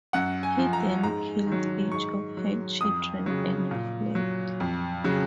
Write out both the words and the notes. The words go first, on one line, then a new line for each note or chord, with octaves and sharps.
He then killed each of her children and fled.
F#2 F#5
G#5
F3
A#5
G#2 A#5
D#3 F#3
G#2 C#6
F#3
F2 D#6
C#3 F#3
A#2
F#3
F2
C#3 F#3